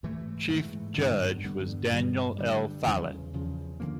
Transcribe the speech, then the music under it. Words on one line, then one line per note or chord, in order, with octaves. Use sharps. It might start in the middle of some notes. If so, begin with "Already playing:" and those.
Chief Judge was Daniel L. Follett.
G#2 E3 A3
G#2 E3 A3
G2 D3 G3 B3
G2 D3 G3 B3
G2 D3 G3
G2 D3 G3
E2 C#3 F3
E2 C#3 F3
D3 F3 A#3